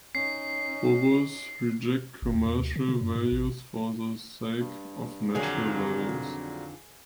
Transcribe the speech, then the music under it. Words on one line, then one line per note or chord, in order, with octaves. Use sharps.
Bobos reject "commercial" values for the sake of "natural" values.
C#4 D#4 C7
G1
D#2
E2
D2
C#3
C#3
F#2
G#2
A1
G2
F2 A#2 D3 D#3 F#3 G#4